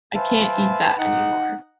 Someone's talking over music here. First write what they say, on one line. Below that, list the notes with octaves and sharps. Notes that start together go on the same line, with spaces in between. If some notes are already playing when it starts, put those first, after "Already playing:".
I can’t eat that anymore.
B4 C5 E5 F5 G#5 A5
D#4 F#5